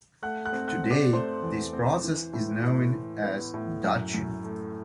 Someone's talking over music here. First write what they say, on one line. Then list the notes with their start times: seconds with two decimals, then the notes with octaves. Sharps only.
Today, this process is known as "Dutching".
0.23 A3 F#5 F#6
0.45 F#5 F#6
0.53 C4
0.68 F#5 F#6
0.83 C4
0.91 D5 D6
1.13 A3 C5 C6
1.43 E2
1.73 C4
2.04 E3
2.33 A2
2.64 A2
2.94 E3
3.24 B3
3.54 A2
3.84 F#2
4.14 F#2
4.44 A3